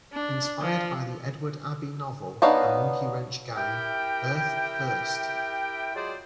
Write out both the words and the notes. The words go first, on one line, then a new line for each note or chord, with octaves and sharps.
Inspired by the Edward Abbey novel "The Monkey Wrench Gang", Earth First!
D4
F3
B3 D4 D#4 C#5 F5
E4 G4 A#4 E5 G5
F#3 G#3 F4 G#4 C5 D5